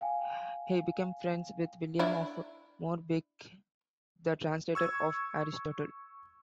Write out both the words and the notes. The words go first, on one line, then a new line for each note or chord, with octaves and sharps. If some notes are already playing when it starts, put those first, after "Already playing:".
He became friends with William of Moerbeke, the translator of Aristotle.
F5 G5 G#5
D4 E4
C#6 E6 G#6